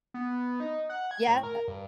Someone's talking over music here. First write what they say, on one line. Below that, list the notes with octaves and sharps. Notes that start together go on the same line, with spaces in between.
Yeah, uh
B3
D#4
F#5
G#6
A2
A#4
G2